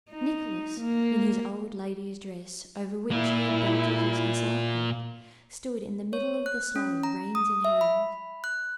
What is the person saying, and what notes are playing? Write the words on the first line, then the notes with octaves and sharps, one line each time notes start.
Nicholas, in his old lady's dress over which he had belted his hussar overcoat, stood in the middle of the sleigh, reins in hand.
D#4
A#3
A#2 A#3 E4
C#5
F#6
C#4
A#5
D#6
E5
B5
F#6